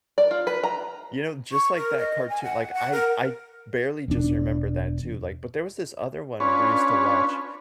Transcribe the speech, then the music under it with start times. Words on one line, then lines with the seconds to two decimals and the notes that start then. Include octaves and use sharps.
you know, just like that cartoon like I I barely just remember that too, like but there was this other one we used to watch,
0.18 D5
0.31 F4
0.47 B4
0.64 A#5
1.52 C#6
1.76 A#4
1.97 D#5
2.29 G#5
2.43 F#5
2.74 F#5
2.93 A#4
4.08 E1 D4
6.40 C#4 D4 F4 B4 C#5